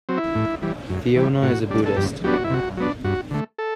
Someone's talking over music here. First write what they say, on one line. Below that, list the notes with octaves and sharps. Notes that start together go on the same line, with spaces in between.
Fiona is a Buddhist.
F#3 C4
E4
A2
E3 G3
F#2
E3 G3
A2 F#4
G3 D4
A4
G2 G4
F#3 B3 D4 G4
F#4
E4
C3 F#4
F#3 B3 D4
G2 F#4
D3 A3
A4